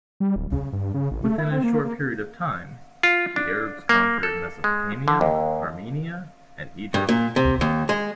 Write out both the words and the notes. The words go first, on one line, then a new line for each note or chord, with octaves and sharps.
Within a short period of time, the Arabs conquered Mesopotamia, Armenia and Egypt.
G3
D1
C#3
G2
C#3
A1
A3
E4
C4
A#3
A#3
F4
D4
A#3
A4
G#3
D3
D#2
G2
A#2
C3
D#2
G#3